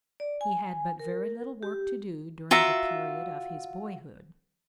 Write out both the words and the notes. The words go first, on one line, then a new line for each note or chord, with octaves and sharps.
He had but very little work to do during the period of his boyhood.
D5
G#5
A#4
G4
F4 F#4 E5 A#5